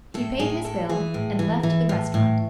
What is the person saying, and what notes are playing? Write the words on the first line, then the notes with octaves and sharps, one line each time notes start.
He paid his bill and left the restaurant.
A2 A4
A2 G#4
A2 A4
E3 G#4
A2
E3
E3
A2
A2